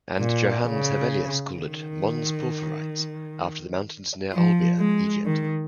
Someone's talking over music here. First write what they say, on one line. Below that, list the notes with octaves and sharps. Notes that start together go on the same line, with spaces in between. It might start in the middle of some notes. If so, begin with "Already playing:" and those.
And Johannes Hevelius called it "Mons Porphyrites" after the mountains near Olbia, Egypt.
A#2
C#3
D#3
F3
G#3
D#3